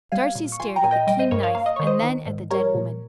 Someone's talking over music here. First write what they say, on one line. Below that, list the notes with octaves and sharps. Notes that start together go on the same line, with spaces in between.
Darcy stared at the keen knife, and then at the dead woman.
G3 F5 G#5
A#2
C#6
F3 G#5 C6
G5 A#5
A#2 G#5
D#5 G5
G3 D#5 G5
C5 D#5
G2 A#4 C#5
C#5 F5
A#3 F5
D#5
D#3 C#5
C5 D#5
D#3
G#2
G3 A#4 C#5
A#2